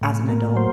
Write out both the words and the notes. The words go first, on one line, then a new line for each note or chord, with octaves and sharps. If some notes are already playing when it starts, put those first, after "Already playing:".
as an adult."
A2
A#3
F#3 C5